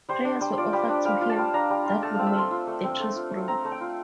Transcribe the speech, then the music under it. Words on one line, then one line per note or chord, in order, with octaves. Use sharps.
Prayers were offered to him that would make the trees grow.
G3 C5
D4
G3
F4 D5
G3
D4
G3 F5
F4
A5
G3
D4 A#5
G3
F4
A3 A5
C4 F5
E5
A3 C6
F4
A3
C4
A3
F4
A3
C4 A#5
A3
G5
F4